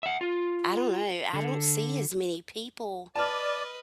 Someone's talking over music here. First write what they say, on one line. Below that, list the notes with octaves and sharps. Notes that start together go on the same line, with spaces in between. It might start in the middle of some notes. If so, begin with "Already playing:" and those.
I don't know, I don't see as many people
E5 F#5
F4
D3
B4 D5 D#5 A5 F6